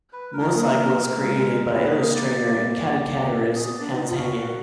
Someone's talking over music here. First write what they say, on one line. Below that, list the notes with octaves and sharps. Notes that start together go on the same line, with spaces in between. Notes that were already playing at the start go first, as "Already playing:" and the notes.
"Mosaik" was created by illustrator and caricaturist Hannes Hegen.
B4
A#4
A#3 A#4
A#3
G#3
A#3 B4
D#5
D5
F#4 G#4
B3
D4 D5
D#4 D#5
F4
F#4 F5
F#5